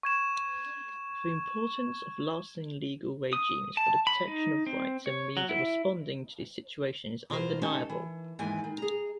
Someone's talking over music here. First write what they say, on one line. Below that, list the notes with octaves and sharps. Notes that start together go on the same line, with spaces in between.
The importance of lasting legal regimes for the protection of rights and means of responding to the situation is undeniable.
C#6 G#6 E7
D#6
A5
B5
D#4
C4
C#5
F#3
E4
B2 F4 A#4 C5
A3 C#4 D#4 G4 A5
E3
D#2 G#2 E3 G#5
D#3
G#4 A#5